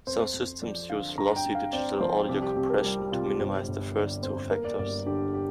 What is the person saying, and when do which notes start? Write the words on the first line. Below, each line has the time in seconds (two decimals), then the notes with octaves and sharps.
Some systems use "lossy" digital audio compression to minimize the first two factors.
0.07 F2 C5
0.34 F2
0.62 F3 D5
0.89 D3 F5
1.18 G2 A#5
1.36 G5
1.46 G2
1.55 F5
1.73 C4 D5
2.00 F3 C5
2.29 C2 G4
2.43 G4
2.56 C2 G4
2.70 A#4
2.84 G3 G4
2.98 G4
3.12 C3 F4
3.26 G4
3.40 G1 C5
3.68 G1
3.95 D3 D5
4.23 F2 C5
4.51 A#3 A#4
4.65 D5
4.79 G1 D5
5.06 D3 G4
5.34 G4